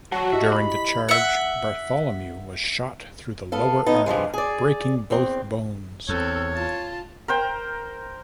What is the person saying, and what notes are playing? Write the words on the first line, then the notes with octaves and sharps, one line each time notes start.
During the charge Bartholomew was shot through the lower arm breaking both bones.
F#3 F#4 A5 C#6
E4 G4 D#5 E5
B5
B6
E5 F#5
B3 A4 F5
B3 D#4
G2 C3 F3 G#3
G#4 D5
E2 C4
E2 C4 A4 C#5
F4 A5
A#4 C5 G5